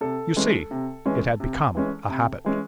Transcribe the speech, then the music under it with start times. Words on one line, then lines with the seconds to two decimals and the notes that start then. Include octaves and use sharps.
You see, it had become a habit.
0.01 C3 A4
0.36 E3 G#3 C#4
0.71 C3
1.06 E3 G#3 C#4
1.40 C3
1.75 E3 G#3 C#4
2.10 C3
2.45 E3 G#3 C#4